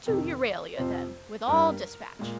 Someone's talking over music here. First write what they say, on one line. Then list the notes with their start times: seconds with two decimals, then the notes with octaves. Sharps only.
To Euralia then with all dispatch.
0.06 F2 C3 D#3
0.77 F2 C3 F3 C5
1.47 G2 G3 A#4
2.19 A#2 G#3